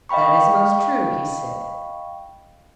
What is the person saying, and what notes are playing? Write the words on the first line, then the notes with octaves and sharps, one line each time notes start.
That is most true, he said.
D#5 F5 G5 B5 C#6